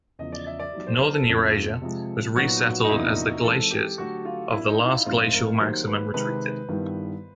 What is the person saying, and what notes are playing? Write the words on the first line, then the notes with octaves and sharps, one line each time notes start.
Northern Eurasia was resettled as the glaciers of the last glacial maximum retreated.
E2 C#3 F3 D#5
D5
E5
D5
F#3 B3 D#4 G4
C5
A#4
A4
F2 C#3 F3 A#3
C3 F3 G#3
A#2 F#3 B3 D#4 F#4
D#4
E2 C3 F3 A#3 D4 E4
E3 G#3 C4 A4
G4
D3 F#3 A3 F#4
F4
F#3 B3 D4 E4 F#4 A#4
D#4
E4
F4
E4
G#2 F3 A3 C4 F4
A#4
D#3 F#3 A#3 D#4 G4 C5
B4
C3 D#3 G#3 C4 B4
G2 D#3 G3 B3 E4